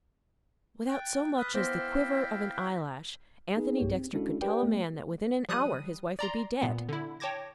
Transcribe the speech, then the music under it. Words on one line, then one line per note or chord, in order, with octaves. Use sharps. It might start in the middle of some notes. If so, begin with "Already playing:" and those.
Without so much as the quiver of an eyelash, Anthony Dexter could tell a man that within an hour his wife would be dead.
G5 F#6 A6
B4 D#6 F6 B6
B3 E4 C5 F5 G5 D6 A#6
B3 D#4 G#4 B4
B1 G2 A#3 G4 C#5
C4
G#3 C#4 D4 E4 F#4 A4
G4 A#4 B4 D5 G5
A3 B3
F3 G3 D#6 F#6 D#7
D5 A#5 C6
A#2 B3
D3 E4
C#5 G5 A5 D6 G#6 A#6